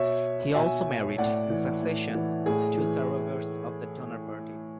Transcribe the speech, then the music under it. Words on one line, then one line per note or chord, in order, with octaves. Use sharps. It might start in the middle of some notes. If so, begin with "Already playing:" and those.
He also married, in succession, two survivors of the Donner Party.
Already playing: B2 C#5 E5
B2 E5 G#5
A2 D5 F#5
E3
A2
E3
A2 G#4
E3